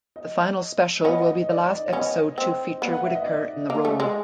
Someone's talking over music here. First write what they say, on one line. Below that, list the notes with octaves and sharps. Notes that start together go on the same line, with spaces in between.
The final special will be the last episode to feature Whittaker in the role.
D#5
B3 C#4 D#5
D#5
D5
D#5
B3 C#4 D#5
C4
B3 F5
F#5
E5
D#5
D5
A#3 D#5
A3
G#3